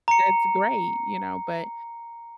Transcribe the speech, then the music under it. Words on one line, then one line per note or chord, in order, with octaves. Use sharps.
that's great, you know, but,
A#5 C#7